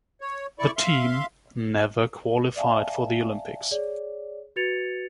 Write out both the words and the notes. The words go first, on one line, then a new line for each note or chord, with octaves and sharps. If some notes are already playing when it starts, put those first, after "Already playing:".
The team never qualified for the Olympics.
C#5
E4 D5 C#6
E5 F5 C6
D5 E5 F5 G#5 A5
G#4 C#5 D5
F#4 B4 G#6 A6 C#7 F7